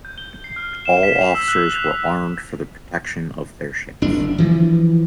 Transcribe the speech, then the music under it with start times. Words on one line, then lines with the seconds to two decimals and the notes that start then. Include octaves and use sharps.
All officers were armed for the protection of their ships.
0.05 G6
0.18 G7
0.44 C7
0.56 F6
0.85 E7
1.03 B6
1.21 F7
1.35 E6
1.48 F#6
1.74 F7
4.02 F#1 D4
4.38 E3 F3